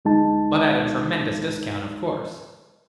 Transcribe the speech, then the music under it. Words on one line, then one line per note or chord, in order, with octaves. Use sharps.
"But at a tremendous discount, of course?"
D2 G#3 D#4 A5